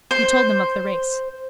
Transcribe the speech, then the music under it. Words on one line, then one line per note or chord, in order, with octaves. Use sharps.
He told them of the race.
C5